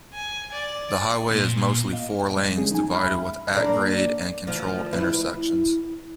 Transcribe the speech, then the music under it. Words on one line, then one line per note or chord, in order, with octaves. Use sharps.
The highway is mostly four lanes, divided with at-grade and controlled intersections.
G#5
D5
A#2
D#5 F5
G3
C#3 F3 G#3 C4 C#4 G#4
D#4 G#5
E2 E5 B5 F6
A#3 D4
D2 F3
E4 B4